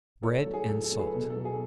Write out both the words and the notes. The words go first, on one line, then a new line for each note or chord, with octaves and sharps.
Bread and Salt.
A2 A4 C#5
A4
F#3
G#4
A2 A4
A4
F#3
G#4 B4
B2 A4
A4
F#3
G#4